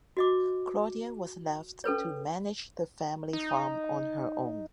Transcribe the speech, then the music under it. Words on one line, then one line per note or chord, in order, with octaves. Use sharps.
Claudia was left to manage the family farm on her own.
F#4 D#5 D6
C#4 A4 B4 C#5
D#4